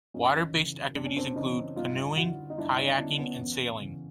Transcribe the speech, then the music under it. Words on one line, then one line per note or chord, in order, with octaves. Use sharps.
Water based activities include canoeing, kayaking and sailing.
F#2 C#4 D#4
C#3 E3
F#2 D4
C#4
C4 D4
C#3 E3 C#4 D#4
G2 D#4 F4
D3 E4 F#4
D#4
G2 D4 E4
C#4 D#4
D3 D4 E4
B3 C#4
E2
C#3 E3